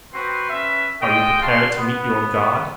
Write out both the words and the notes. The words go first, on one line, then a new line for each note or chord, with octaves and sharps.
"Are you prepared to meet your God?"
C4 F#4 B4 C6
C#4 B4 E5
G#3 A4 D#5 G5
F#4 G#4 F5 A5 C6
B3